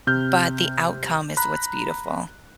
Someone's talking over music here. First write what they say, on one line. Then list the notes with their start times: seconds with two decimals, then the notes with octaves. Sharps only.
but the outcome is what's beautiful.
0.07 C3 F6 G6
1.37 A#5 B5 F#6